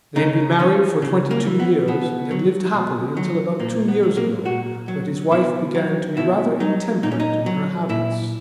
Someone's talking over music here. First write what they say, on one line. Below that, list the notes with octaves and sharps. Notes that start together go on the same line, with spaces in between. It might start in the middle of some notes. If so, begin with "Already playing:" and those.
They had been married for twenty-two years and had lived happily until about two years ago when his wife began to be rather intemperate in her habits.
C#3 D#4
E3 C#4
C#3
A#3
E3
B3
B2 B3
F#3
B2
F#3
A#2 A#3
B3
F#3
A#3
A#2 F#4
F#3
B2 E4
F#3
B2 E4
F#3 D#4
A#2 D#4
C#4
D#4
F#3
A#2 E4